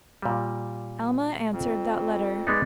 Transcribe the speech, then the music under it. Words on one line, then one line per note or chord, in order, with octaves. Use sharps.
Alma answered that letter.
A#2 G3
F2
G#3 B3 D#4 D5